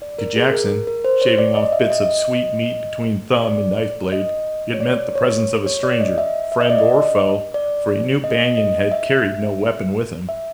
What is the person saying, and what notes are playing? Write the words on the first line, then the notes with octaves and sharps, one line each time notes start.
To Jackson, shaving off bits of sweet meat between thumb and knife blade, it meant the presence of a stranger, friend or foe, for he knew Banion had carried no weapon with him.
D5
A#4
G#4
A#4
A#4
C5
C#5
D5
D#5
E5
D#5
D5
D#5
C#5
D5
C#5
C#5
D5
D#5
E5
E5
D#5
D5
D#5
D5
D#5
D#5
E5
E5